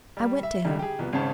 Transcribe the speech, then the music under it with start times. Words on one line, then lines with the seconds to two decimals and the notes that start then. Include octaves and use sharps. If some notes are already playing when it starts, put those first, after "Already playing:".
I went to him.
0.17 G3
0.43 E5
0.65 C#2 D3 G3
0.79 G4 G#4
0.99 C2 F3 B3
1.13 G#1 C#3 C#4 C5 A5